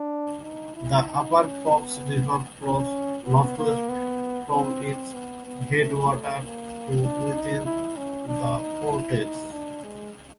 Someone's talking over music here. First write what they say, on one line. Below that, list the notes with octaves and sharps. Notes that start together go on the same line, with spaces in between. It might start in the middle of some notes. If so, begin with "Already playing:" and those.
The upper Fox River flows northwest from its headwater to within the Portage.
Already playing: D4
D#4
E4
D#4
C#4
B3
C#4
B3
A#3
B3
C4
C4
B3
B3
A3
A#3
D4
D#4
E4
C#4
D4
D#4
E4
D#4
D4
G#3